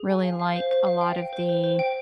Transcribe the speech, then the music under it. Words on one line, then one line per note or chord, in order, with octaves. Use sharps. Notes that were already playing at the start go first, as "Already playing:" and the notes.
really like a lot of the,
Already playing: G#4
G#5
F5
F5
C5
C5
F5
G5
G5
C5
C5
C5
G5